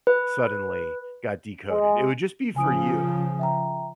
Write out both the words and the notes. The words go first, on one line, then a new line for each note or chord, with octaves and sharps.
suddenly got decoded, it would just be for you.
B4
G#3
C#3 F3 G#5 D#6 D7
E5 G5 A#5